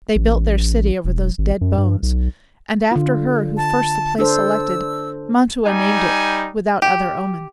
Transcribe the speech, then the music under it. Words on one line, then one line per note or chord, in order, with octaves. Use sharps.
They built their city over those dead bones, And, after her who first the place selected, Mantua named it, without other omen.
A1
E1
G#1
F#2
G2
B1
D3 F4
A5
D4 A4 C5 E6
G3 D#4 G#5
G4